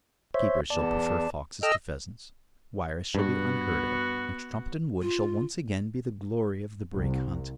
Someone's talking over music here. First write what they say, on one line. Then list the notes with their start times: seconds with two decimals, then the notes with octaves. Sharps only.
Keepers shall prefer foxes to pheasants, wires shall be unheard of, and Trumpeton Wood shall once again be the glory of the Brake Hunt.
0.34 C5 C#5 E5
0.70 E2 D5 A5
1.63 A4 D#5 G5 E6 F6
3.15 G2 B3 F#4
5.02 F4
6.94 C2